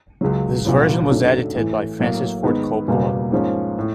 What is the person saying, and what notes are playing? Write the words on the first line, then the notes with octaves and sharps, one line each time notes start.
This version was edited by Francis Ford Coppola.
C#2 C#3 F#3
C2 A#2 F#3 B3
F#2 D#3 F#3 A3 D4
A2 E3 A3
A2 F#3 A#3
G#2 D#3 G#3 B3 D#4
F#1 E2 B2 G3 A#3
G#2 F3 A#3 C#4
A2